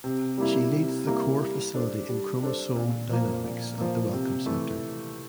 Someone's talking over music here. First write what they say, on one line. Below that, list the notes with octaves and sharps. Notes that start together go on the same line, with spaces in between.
She leads the core facility in Chromosome Dynamics at the Wellcome Centre.
C3
G3 A#3 E4
C3
G3 A#3 E4
G3
D4 A4 C5
G3
D4 A4 C5
A#2
F3 A#3
A#2
F3 A#3
C3
E3 A3